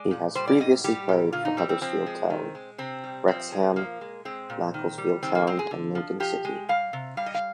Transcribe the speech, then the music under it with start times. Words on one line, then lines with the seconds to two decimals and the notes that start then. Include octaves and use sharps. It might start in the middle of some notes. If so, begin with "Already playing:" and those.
He has previously played for Huddersfield Town, Wrexham, Macclesfield Town, and Lincoln City.
Already playing: G#3 D5
0.11 A#2
0.35 G3 C5
0.47 D5
0.60 G#2 D#5
0.84 G3 G4
1.09 A#2
1.33 D3 F4
1.45 D#4
1.57 G3 C4
1.69 C4
1.81 F3 C4
2.06 G#3
2.30 D#3
2.55 G#3
2.78 C3 C4
3.04 G3
3.28 F3 C4
3.52 G#3
3.76 F3 A#3
4.01 G#3
4.25 G#3 C4
4.50 A#2
4.74 D#3
4.98 G3
5.23 D#3 C4
5.35 A#3
5.47 G#3 C4
5.59 G#4
5.71 D3
5.95 F3
6.20 F3 G4
6.45 G#3
6.69 G3 F5
6.93 C3
7.17 G3 F5
7.26 D#5
7.34 F5